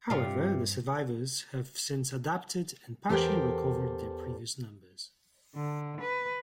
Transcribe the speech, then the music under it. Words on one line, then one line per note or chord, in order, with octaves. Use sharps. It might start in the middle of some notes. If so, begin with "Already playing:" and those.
However, the survivors have since adapted and partially recovered their previous numbers.
G2 C3 C4 F4
E2 G4 A4 A#4 C5 G5
D3
B4